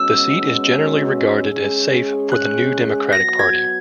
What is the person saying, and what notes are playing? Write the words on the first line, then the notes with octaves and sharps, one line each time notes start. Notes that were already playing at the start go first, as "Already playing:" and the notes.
The seat is generally regarded as safe for the New Democratic Party.
Already playing: B2 G#3 C#4 F#4 E6
G#3 C#4 G#4
F#6
F#3 B3 F#4 A#6
G#6